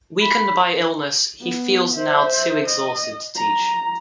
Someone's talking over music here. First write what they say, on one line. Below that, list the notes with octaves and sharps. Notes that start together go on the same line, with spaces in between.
Weakened by illness, he feels now too exhausted to teach.
B5
B3
C5 E5
D#5
A#5